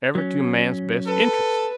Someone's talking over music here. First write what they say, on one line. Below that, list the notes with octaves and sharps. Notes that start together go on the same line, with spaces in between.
Ever to man's best interests?
F#3 C#4
A4 B4